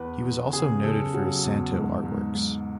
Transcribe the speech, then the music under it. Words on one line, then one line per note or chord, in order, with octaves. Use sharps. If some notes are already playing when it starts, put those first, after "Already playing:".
He was also noted for his santo artworks.
Already playing: E2 B4
E2
C#3 G#4
C#3 A4
F#3
E2
G#2
G#2
G#2